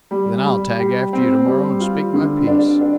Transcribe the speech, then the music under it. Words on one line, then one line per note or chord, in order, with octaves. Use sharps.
"Then I'll tag after you tomorrow, and speak my piece."
G3
G3
G4
C4
G3
F4
D3
D4
D4